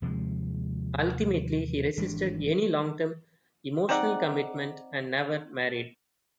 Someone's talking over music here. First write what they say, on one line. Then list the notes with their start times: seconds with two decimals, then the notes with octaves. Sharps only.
Ultimately, he resisted any long-term emotional commitment, and never married.
0.02 D#2 C3 F3 G#3
1.97 G#1 E3 G3 D4
3.89 C4 D#4 D5 F#5